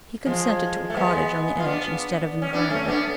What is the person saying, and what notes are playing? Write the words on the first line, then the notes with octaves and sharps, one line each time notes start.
He consented to a cottage on the edge, instead of in the heart of it.
F3 G#3
A3
G#3 B3
F4
B3 D4
C#4
B3 D4
A3 C#4
B3 D4